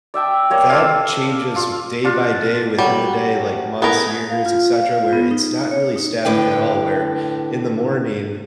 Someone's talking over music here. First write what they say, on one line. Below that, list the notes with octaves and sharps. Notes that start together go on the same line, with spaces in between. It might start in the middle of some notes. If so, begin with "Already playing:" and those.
that changes day by day, within the day, like, months, years, etcetera, where it's not really static at all, where in the morning,
D5 E5 G5 A5
G3 A#3 C#5
A4 C5 D5 F5
F4
D4 F4
F#3 G3 A3
A3 B3 E4 G#4 A#4
F5
F4
F5
F4
B3
D#4
C#5
D#4
A2 D3 B4 G5